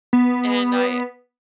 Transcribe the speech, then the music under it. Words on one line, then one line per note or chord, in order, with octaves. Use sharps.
and I
B3